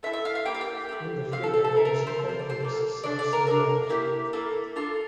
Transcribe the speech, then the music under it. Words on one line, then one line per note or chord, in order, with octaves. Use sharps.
In the figure there is an obvious self-similarity.
A3 E4 A4 E5
E5
F5
F5
A#3 E4 G4 G5
F5
G5
A3 E4 G4
C4 G4 F5
A4
A4
A4
C4 E4 A4 A#4
A#4
A#4
C5
C4 F4 A4
C5
D5
C5
A#3 F4 A4
A3 D4 A4 D5
D5
A#4
D4 A4 A#4
A#3 E4 G4
A#3 E4 A4
D4 F4 A4